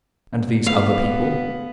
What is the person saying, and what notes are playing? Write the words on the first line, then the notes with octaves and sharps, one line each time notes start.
"And these other people?"
A3 B3 F5